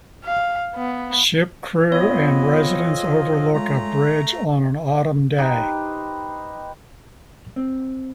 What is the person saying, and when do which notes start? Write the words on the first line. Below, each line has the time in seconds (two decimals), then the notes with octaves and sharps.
Ship crew and residents overlook a bridge on an Autumn day.
0.25 F5
0.76 B3
1.92 F2 B3 C4 F4 C#5 D#5
3.54 G#3 A3 A#5
5.38 D#4 G4 B4 C5
7.56 C4